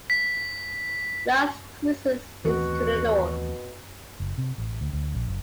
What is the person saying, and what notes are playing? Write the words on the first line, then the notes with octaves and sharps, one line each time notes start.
Las Cruces is to the north.
B6
D#2 B2 E3 A3 C4 F#4
F#1
C3
A1
D2
D2
A#1
F#1